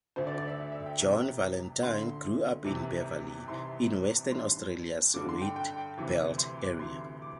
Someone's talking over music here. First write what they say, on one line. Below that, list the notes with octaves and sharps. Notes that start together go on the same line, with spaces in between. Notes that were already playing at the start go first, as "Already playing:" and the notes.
Jo Vallentine grew up in Beverley, in Western Australia's Wheatbelt area.
D2 D3 C5
D5
D5
E5
E5
G5
C2 C3 E3
D2 D3 C6
C2 C3 E3
C2 C3 E3 C6
G2 E3 C6
G2 D3 D6
C6
G5
G5
D2 C3 E3
C6
D6
D2 C3 E3 C6
C6
D6